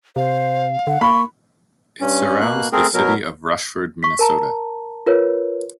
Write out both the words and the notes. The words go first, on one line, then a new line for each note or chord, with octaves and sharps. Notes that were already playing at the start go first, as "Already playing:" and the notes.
It surrounds the city of Rushford, Minnesota.
C3 C5 F5
D3 F#5
A#3 B5 C#6
G2 C#4
B2 A#3 F#6
A3 C4 G#4 A#4
B2 F#3 A#4
C#6 B6
A#4 A5 A#5
F4 A#4 B4 C#5